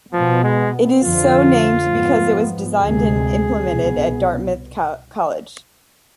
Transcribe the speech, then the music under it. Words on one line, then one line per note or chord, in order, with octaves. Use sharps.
It is so named because it was designed and implemented at Dartmouth College.
B2 F3 B3
G#3
F2 D3 F3 F4
G#2 F3 B3
D2 C3 G#3 G#4
C2 B2 B3